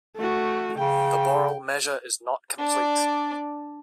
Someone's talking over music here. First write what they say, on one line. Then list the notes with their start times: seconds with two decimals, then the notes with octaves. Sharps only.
The Borel measure is not complete.
0.17 A3 F#4
0.78 C#3 G5
2.59 D4 D5